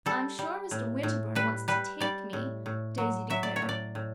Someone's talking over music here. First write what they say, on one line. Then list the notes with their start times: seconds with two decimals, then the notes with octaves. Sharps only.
"I'm sure Mr. Winterbourne wants to take me," Daisy declared.
0.06 G3 A4
0.39 G3
0.71 A2
1.03 A2
1.35 G3 B4
1.68 G3 B4
2.00 G3 D5
2.33 A2
2.66 A2
2.98 F#3
3.30 F#3 E5
3.43 D5
3.56 C#5
3.62 A2
3.69 D5
3.95 A2